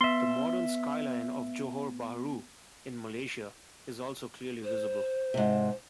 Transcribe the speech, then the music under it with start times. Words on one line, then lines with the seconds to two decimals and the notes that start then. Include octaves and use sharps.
The modern skyline of Johor Bahru in Malaysia is also clearly visible.
0.01 B3 E5 C6
4.64 C5
5.34 G#2 C3